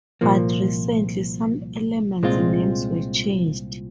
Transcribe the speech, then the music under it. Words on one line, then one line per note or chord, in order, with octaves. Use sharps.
But recently, some elements' names were changed.
C2 A#2 F3 A#3
C2 A#2 G#3 C4 F4